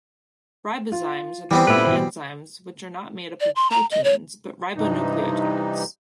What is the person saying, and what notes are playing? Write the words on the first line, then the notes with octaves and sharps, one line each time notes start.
Ribozymes are the only enzymes which are not made up of proteins, but ribonucleotides.
F4
E3 G3 B3 C4
A#2 E4 A4 B4 D7
B2 E3 C5
D5
C6
A#5
D#5
C#5
G2 C3 E3 D#4